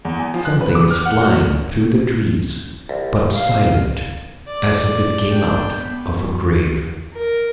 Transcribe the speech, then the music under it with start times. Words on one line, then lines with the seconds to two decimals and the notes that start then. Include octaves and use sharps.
Something is flying through the trees, but silent as if it came out of a grave.
0.05 E2
0.19 G#5
0.34 F3
0.45 F#6
0.61 B4
0.75 D6
0.91 F6
1.05 F#5
1.21 F#4
2.89 C2
3.35 F5
4.47 D5
5.32 D4 G5
5.77 B3
7.13 A#4